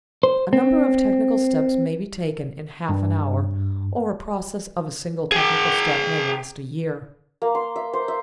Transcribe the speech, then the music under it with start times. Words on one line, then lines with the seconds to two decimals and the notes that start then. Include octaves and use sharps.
A number of technical steps may be taken in half an hour, or a process of a single technical step may last a year.
0.23 C5
0.53 C4
2.89 G2
5.32 G#4 G5
7.42 A#3
7.55 C6
7.76 E5
7.93 C5
8.08 E5